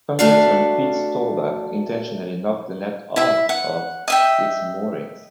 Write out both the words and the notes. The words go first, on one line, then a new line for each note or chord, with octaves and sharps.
Congressman Pete Stauber intentionally knocked the net off of its moorings.
A3 D4 F#4 F5
E4 E5
F#5
D#5 E5 G5